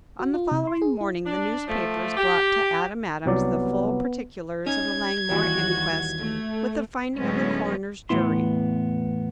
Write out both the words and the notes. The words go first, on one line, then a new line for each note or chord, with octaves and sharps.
On the following morning the newspapers brought to Adam Adams the full particulars of the Langmore inquest, with the finding of the coroner's jury.
F#4
F4
C3
C6
G#4
E4
D4
F3 A3
G4
C2 F#3 B3 D5
C#4 D#4 G#6
D#2 E3 G3 F#4
A3
A2 D3 F#3 G#3 B3 C#4
E2 A2 B3 E4 C6